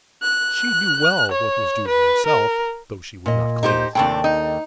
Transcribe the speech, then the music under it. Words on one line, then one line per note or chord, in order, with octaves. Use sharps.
She knew well what was due to herself, though she would not claim it.
F#6
C#5
B4
A#4
A#2 D#5
D#4 G4 C5
D#2 A2 C3 D4 A4 G5
D#4